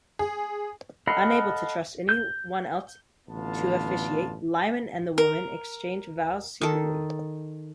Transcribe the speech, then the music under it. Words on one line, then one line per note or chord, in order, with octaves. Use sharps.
Unable to trust anyone else to officiate, Lyman and the woman exchanged vows secretly.
G#4
A4 D#5 F5 F#5 B5
G6
A1 D3 B3 F4 A5
A#4
D#3 A4